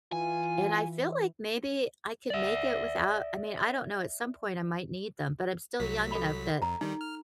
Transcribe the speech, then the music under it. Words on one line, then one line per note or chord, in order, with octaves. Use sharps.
and I feel like maybe I could make it without I mean, I don't know, at some point, I might need them, but I'm still young enough that
E3 F4 G#5
D5 E5
C2 F#3 B6
A4 B5
F2 A#5
D#3 G3 D#4
F6